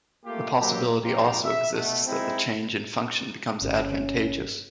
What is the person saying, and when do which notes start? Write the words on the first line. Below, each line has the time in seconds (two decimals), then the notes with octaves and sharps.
The possibility also exists that the change in function becomes advantageous.
0.25 A3 A#3 F4 G4
0.58 F#3 A#3 C4 G4
1.02 F2 G#2 F4 G4 A#5
1.43 E5
1.73 B2 A3
2.05 G#3 C4 D#4 E4
3.62 G1 C#4